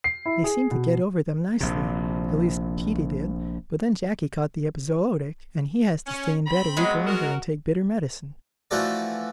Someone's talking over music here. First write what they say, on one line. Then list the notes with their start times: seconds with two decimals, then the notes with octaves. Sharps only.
"They seemed to get over them nicely, at least Peetie did, but then Jackie caught the epizootic, and he has to stay in bed a week longer, and take bitter medicine."
0.04 C7
0.26 E4
0.44 G#4
0.71 B2
1.61 A#1 C3
6.07 C#4
6.46 C4 B5
6.77 F#3 G#3 B3
7.06 F#4 A#4
8.71 E3 F3 A3 F#4 A4 D5